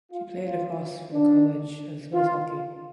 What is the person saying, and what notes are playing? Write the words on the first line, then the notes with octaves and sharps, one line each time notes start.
She played lacrosse for the college as well as hockey.
F4
F4
D4
F4